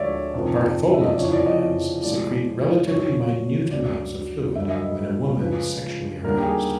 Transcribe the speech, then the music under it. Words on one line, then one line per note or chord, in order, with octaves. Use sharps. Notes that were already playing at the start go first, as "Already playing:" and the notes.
Bartholin's glands secrete relatively minute amounts of fluid when a woman is sexually aroused.
Already playing: D2 D3 F3 G#3 C#5 D5 E5
F2 C3 D#3
E5
D#5
D5
F2 C#3 E3 C#5
D5
D#5
A2 F3 G#3 D5
F2 C#3 F#3 C#5
D2 D3 F#3 D5
F#2 D3 G3 E5
E5
D#5
C#2 C#3 F3 G#3 B4
D#2 D3 G3 A#4
G4
G#4